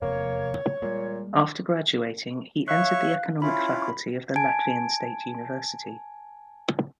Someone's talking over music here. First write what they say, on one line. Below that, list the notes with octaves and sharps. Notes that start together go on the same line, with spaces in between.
After graduating, he entered the economic faculty of the Latvian State University.
F1 E2 A#3 C#5
A#2 G3 G#3 A#3
C#5 E5 F5 C#6 F#6
C#4 E4 F4 B5
G#5 A5 G#6 D7